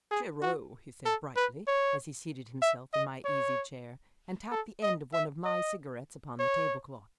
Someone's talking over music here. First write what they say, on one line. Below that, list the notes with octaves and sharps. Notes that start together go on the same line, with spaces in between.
"Cheero!" he said brightly as he seated himself in my easy-chair and tapped the end of one of my cigarettes upon the tablecloth.
G#4
F#4
A4
B4
C#5
E5
D#5
C#5
A4
D#5
E5
D#5
C#5